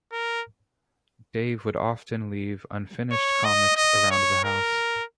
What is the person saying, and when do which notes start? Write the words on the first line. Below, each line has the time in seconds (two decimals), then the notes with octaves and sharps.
Dave would often leave unfinished comics around the house.
0.12 A#4
3.11 C#5
3.44 D#5
3.77 D#5
4.11 C#5
4.44 A#4